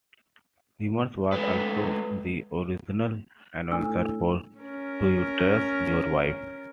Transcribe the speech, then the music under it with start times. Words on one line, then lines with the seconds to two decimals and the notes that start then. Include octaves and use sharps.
Reimers was also the original announcer for Do You Trust Your Wife?
1.32 G#3 A3 B4
3.72 A2 D4 E6
4.59 C#4 A#4